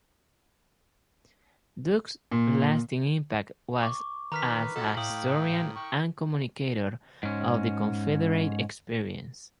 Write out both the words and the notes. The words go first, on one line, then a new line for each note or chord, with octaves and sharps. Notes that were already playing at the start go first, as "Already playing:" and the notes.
Duke's lasting impact was as a historian and communicator of the Confederate experience.
A#2
C#6 D6
D#3 B4 A#5 F6 B6
F3 D#4 F#4 A4
A2 F5 G5 D#6 F#7
G5 C#6
G#2 C#4